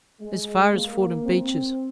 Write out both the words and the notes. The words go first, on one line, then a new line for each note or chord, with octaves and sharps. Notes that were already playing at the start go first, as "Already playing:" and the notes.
'As far as Fordham Beeches.
G#3
A#3
C4